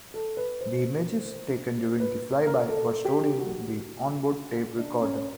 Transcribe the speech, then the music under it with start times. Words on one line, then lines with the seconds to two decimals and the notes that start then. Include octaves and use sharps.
The images taken during the flyby were stored in the on-board tape recorder.
0.14 A4
0.37 B4
0.61 C5
2.00 B4
2.47 A#4
2.69 A4
3.05 G4
3.39 F#4
4.79 D4
5.01 C#4